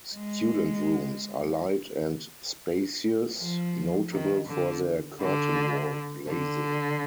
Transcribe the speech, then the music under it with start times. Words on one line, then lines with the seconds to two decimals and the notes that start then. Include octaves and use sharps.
Student rooms are light and spacious, notable for their 'curtain wall' glazing.
0.14 G#3
3.39 F3
4.12 D#3
4.48 D3
5.20 D3
6.28 D3